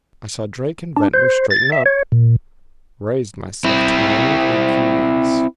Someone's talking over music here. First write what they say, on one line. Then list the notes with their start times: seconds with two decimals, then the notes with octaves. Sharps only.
I saw Drake and Ventnor straighten up; raised myself to my own aching knees.
0.97 D4
1.14 C5
1.50 A6
1.72 E5
1.86 C#5
2.12 A#2
3.64 C4 E4